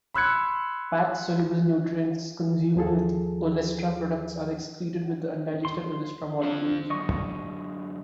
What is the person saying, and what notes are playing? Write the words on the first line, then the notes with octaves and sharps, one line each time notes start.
Fat-soluble nutrients consumed with olestra products are excreted with the undigested olestra molecules.
B5 C6 E6 F#6 G#6 C#7
D#2 F3 G#4 A4
C6
C4 F4 C5
F#2 D3 D#5 C#6